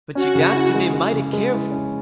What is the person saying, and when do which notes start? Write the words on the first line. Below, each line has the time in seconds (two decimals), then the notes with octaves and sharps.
But you got to be mighty careful.
0.15 C#4 F#4
0.35 C#3
0.55 E4
0.74 G#3
0.94 G#3
1.13 C#3
1.33 G#3
1.52 E4
1.72 C#4